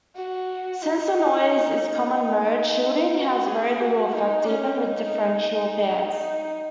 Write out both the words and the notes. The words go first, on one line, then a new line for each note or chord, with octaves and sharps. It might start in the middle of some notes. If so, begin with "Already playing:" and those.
Since the noise is common-mode, shielding has very little effect, even with differential pairs.
F#4
D#4
D#4
F#4
G#4
F#4
D#4
C#4
D#4
D#4